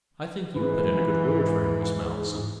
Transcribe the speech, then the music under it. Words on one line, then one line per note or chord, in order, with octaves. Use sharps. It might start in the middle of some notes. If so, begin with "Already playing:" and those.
"I think you put in a good word for him, Miss Malleson."
G#2 E3 B4